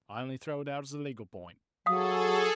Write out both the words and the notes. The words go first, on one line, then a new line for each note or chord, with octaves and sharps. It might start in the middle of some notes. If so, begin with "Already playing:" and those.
I only throw it out as a legal point.'
F#3 G#4 A4 F5 D#6